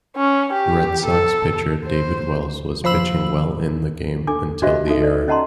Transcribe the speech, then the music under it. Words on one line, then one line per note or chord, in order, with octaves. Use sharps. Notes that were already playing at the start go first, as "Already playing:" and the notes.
Red Sox pitcher David Wells was pitching well in the game until the error.
C#4
G4
A4
C5
F3 C5 B5 E6 F#7
D4 A4 G#5 D6
D4 F#4 G4 C5 D#5 E5
D#4 F#4 A4 E5
A4 D5
C#4 D#5 F#5 A5 A#5 C6